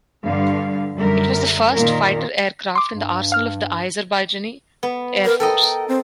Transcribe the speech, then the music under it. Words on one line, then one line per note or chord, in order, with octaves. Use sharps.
It was the first fighter aircraft in the arsenal of the Azerbaijani Air Force.
G2 D3 F5
F#2 D3 G3 A#4 E5
A#2 D#3 A#4
C6 D6
G2
F5 F6
B3
A#4
A4 A#4 D#5 G5
C4